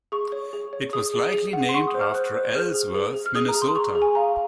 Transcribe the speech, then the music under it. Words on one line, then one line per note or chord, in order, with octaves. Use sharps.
It was likely named after Ellsworth, Minnesota.
G#4 C#6
C#5
G#4
C#5
G#4 D#6
G#4
G#4
F#5
C6
F#5 C#6
D#6
C5
F6
C5 F#6
C5
G#4 F6
G#4
G#4
G#4
F6
G#4 D#6
A#5
G#4
C6
G#4 C#6
G#4
G#5
F5 A#5